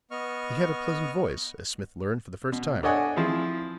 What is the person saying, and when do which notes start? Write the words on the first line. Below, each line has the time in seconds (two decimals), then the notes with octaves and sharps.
He had a pleasant voice, as Smith learned for the first time.
0.11 B3 D#5 C#6 F6
2.52 B2
2.83 D4 A4 C#5 D#5 F#5 G#5
3.16 F3 C4 E4 G#4